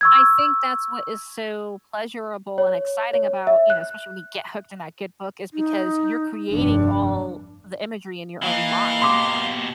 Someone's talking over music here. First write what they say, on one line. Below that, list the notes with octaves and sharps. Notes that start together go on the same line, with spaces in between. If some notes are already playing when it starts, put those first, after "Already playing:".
I think that's what is so pleasurable and exciting about, you know, especially when you get hooked in that good book is because you're creating all the imagery in your own mind,
C#6 E6 G#6
C#5
C#5
E5
F#6
D#4
F1 G2 D4
E3 A#3 D#5 F5
B2 G4 C6 D6